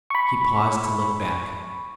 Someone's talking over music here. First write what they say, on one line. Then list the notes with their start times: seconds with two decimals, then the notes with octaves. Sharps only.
He paused to look back.
0.10 B5 C#6